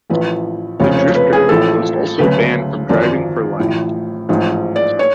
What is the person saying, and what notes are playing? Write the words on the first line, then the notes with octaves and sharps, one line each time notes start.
The drifter was also banned from driving for life.
A1 A2 F3 B4
F1 F2 C#3 C#5
C#5
B4
G#4
A1 A2 F3 A4
D2 C#3 F#3 B4
G#1 F#2 F3 D5
A1 A2 F3
A1 G#2 F3
D5
C#5